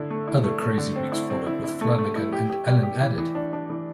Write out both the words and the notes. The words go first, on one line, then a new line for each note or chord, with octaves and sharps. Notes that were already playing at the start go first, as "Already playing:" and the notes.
Other Crazy Weeks followed with Flanagan and Allen added.
Already playing: D3 E4
A3
E4
A3
A3
D3
C4
E4
C4
E4
E4
A3
A3
E4
G4
G4
G3
G4
E3
E3
D4
D4
E3